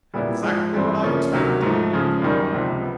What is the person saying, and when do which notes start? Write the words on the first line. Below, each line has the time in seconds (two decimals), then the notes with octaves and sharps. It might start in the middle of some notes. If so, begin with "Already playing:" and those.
"Exactly what I expected," he replied.
0.14 A#2 G3 B3 E4
0.43 G#2 F3 G#3
0.74 G2 E3 G3 C4
1.03 C#3 F3 A#3 C#4
1.33 D2 C3 D#3 F#3
1.62 G#2 F3 A3
1.93 C#3 F3 G#3
2.22 F#2 D#3 G3
2.53 C#2 C3 F3
2.82 B3